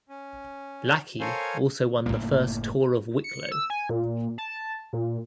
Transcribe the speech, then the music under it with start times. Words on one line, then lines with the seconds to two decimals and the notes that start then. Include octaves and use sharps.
Lackey also won the first Tour of Wicklow.
0.09 C#4
1.20 A4 A#4 C5 C#5 F5 G#5
2.06 F#1 E2 A2 A#3
3.24 C#7
3.52 E6
3.70 G#5
3.89 A#2
4.38 A5
4.93 A#2